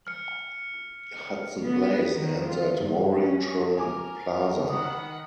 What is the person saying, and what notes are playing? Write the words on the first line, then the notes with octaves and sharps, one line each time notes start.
Hudson Place ends at Warringtron Plaza.
F6 C#7
B3
D#3
F4
G2
C#4
A#4 G#5 D6
D#3 F#5 B5 D#6